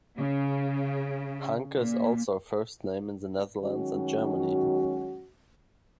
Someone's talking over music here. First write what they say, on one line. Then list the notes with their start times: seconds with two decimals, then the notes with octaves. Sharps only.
Hanke is also a first name in the Netherlands and Germany.
0.17 C#3
1.76 A#2
3.61 D#3 F#3 G#3 C#4 F#4